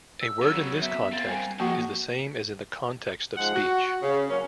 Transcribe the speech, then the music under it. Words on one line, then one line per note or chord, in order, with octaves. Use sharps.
A word in this context is the same as in the context of speech.
E6
C#3 F#3 B3
B3 E5
A#3 C4 A6
G3 G#5
F3 G#3 A#3 F#4 A4 F#5 C#6
G#2 F3 G#3 F#5
F#4 F#5
C#3
F#3 A#3 C#4